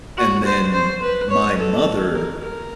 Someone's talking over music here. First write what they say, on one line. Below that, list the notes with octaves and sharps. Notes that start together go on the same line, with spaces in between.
And then my mother
F#4
C5
C5
B4
C#5
A4
A#4
A#4